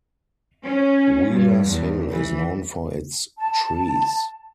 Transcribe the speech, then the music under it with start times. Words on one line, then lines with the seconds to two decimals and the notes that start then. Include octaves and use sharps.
Wheelers Hill is known for its trees.
0.64 C#4
1.29 G2
1.66 E2
2.11 E3
3.38 A5